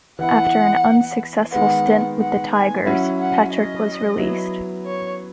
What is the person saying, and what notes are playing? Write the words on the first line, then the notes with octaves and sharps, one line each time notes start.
After an unsuccessful stint with the Tigers, Petrick was released.
E3 B3 E4 F#5
D#3 G#3 B3 F#5
F#5
G#5
F#3 C#4 E4 F#5
F#5
D#5
F#3 B3 E4
C#5